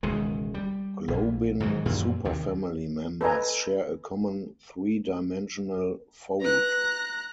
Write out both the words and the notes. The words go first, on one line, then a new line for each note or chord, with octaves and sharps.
Globin superfamily members share a common three-dimensional fold.
E1 C#2 D#3 G#3
G3
A#1
G#2 D#3 E3 F#3
F#2 A#2 E3 F3
D#2 C3
A4 B4 D#5 G#5 A#5
B4 A#5 F#6